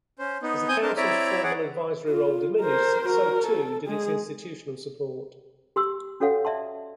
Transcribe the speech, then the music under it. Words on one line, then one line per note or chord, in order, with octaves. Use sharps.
As the Council's formal advisory role diminished, so too did its institutional support.
C#4 C5
B3 D#4
C4 G#5 D#6 G6
C4 D4 A#4 A5
C4 E4 C#5 D5 E5 A#5
G#4 C#5 D5 F#5
F4
A#4 C5
F#4 A#4
A4
G#3 G#4
G4 C6 E6
C#4 F#4 A4 C#5 F5 F#5
D5 E5 A5 C6